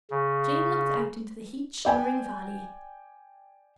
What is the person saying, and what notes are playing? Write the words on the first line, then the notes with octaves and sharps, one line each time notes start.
Jane looked out into the heat-shimmering valley.
C#3
D5 G5 G#5